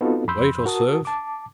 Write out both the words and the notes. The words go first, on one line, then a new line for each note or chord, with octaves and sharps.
"Wait or serve?"
B3 C4 D#4 F4 F#4 A4
F2 B5 C6 E6 G6
F#4 A#4 A5 D#6
A5 D6